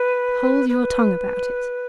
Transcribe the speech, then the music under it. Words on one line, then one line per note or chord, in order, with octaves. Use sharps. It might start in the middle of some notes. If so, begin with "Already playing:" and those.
Hold your tongue about it.
Already playing: B4
B4